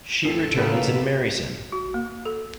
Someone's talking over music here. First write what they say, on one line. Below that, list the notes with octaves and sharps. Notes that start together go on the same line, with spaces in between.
She returns and marries him.
A1 F2 F3 A4
A2 C#3 A#3 B3 B4
F#4
A#3
A4